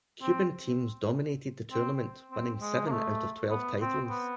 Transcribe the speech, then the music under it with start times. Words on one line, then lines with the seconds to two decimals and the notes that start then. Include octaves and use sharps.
Cuban teams dominated the tournament, winning seven out of twelve titles.
0.22 C4
1.72 C4
2.32 C4
2.61 G#3
2.87 A#3
2.92 A3
3.51 B3
3.81 C4
4.10 B3